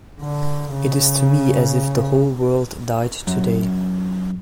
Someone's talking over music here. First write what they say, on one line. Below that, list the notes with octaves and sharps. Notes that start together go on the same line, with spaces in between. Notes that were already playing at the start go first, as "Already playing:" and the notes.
It is to me as if the whole world died today.
D3
C#3
F#2